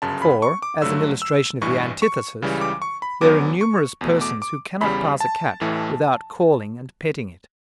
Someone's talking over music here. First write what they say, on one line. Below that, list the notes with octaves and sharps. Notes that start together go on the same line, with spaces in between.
For, as an illustration of the antithesis, there are numerous persons who cannot pass a cat without calling and petting it.
G1 F#2 C#3 A5
B5
C#6
D6
G2 D3 F#3 A3 E6
E6
A1 G2 E3 C#6
C#6
C#2 C#3 E3 G3
D6
C#6
B5
D2 D3 F#3 B3 D6
C#6
E2 B2 A3
D6
D6
E2 C#3 G3 B5
A5
A1 A2 E3 A3